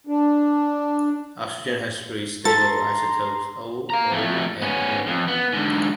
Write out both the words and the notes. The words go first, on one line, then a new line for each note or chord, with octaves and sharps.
Oxygen has three stable isotopes, O, O, and O.
D4
A4 A#5 C6 A6
F5 A#5
F2 A3
B3 C#4
F2
B3
G#2 D3